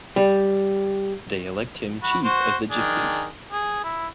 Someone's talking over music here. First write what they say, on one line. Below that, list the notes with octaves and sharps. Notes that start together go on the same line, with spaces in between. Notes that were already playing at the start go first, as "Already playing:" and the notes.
They elect him chief of the Gypsies.
G3
F#4 B5
F#4 C5
D#3 D4 G#4
G#4
E4